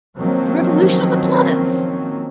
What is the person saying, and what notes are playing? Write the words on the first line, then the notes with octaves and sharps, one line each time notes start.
The revolution of the planets.'
D#3 F3 F#3 A#3 C4 C#4